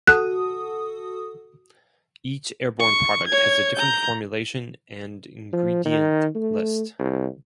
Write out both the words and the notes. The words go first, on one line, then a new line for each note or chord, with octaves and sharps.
Each Airborne product has a different formulation and ingredient list.
F#4 A4 D#6 F#6
C#6
C#5 G#6
A#5 G6
F3
D#3
A3
C2